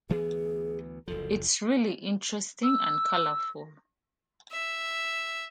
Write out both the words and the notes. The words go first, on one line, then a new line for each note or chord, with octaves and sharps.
It's really interesting and colorful.
D2 E3 B3 G#4
F#1 D2 F3 A4
E6
E5